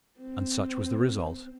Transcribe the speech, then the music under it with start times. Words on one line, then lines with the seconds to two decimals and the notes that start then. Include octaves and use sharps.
And such was the result.
0.20 C4